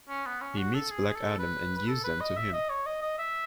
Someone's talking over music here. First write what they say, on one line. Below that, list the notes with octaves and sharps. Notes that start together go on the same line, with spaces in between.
He meets Black Adam and gives them to him.
C#4
B3
C#4
F#4
A4
G#4
A4
B4
B4
A4
B4
D#5
E5
D#5
C#5
D#5
D#5
E5